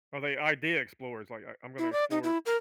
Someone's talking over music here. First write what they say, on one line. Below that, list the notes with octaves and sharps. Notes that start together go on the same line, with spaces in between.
are they idea explorers? Like, I I'm gonna explore
E4
D5
D#4
E4
A#4